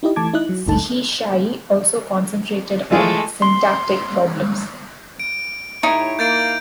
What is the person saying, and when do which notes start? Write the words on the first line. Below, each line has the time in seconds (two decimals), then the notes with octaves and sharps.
Sehechaye also concentrated on syntactic problems.
0.03 D#4 E4 G4 D#5
0.16 E3 A3 A5 D6 G#6
0.34 D#4 E4 D#5 F#6
0.49 F#3
0.66 G#1 D2 G2 D#4 A4 A5
2.91 E3 G#3 A3 F4 G#4
3.42 C6
5.20 D7
5.83 A2 D#4 E4 G4 C#5
6.19 A#3 G6 A6 D7